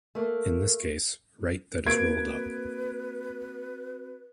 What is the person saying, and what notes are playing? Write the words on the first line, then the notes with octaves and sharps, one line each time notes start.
In this case, write that is "rolled up".
A3 A#3
A#3 C4 F#4 B4 G#6 D7